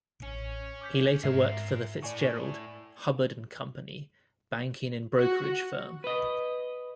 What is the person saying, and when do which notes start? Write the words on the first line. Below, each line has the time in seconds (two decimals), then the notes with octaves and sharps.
He later worked for the Fitzgerald, Hubbard and Company banking and brokerage firm.
0.23 A1 C#4
0.81 D6 G6 B6
1.24 G#2 A#4 E5 G#5 C7
2.02 A2 D5 G#5 C#6
5.17 F#4
6.04 B4 D#5